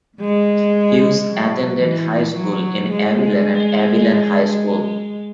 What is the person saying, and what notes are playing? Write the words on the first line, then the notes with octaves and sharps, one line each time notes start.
Hughes attended high school in Abilene at Abilene High School.
G#3
F#3
E3
F#3
G#3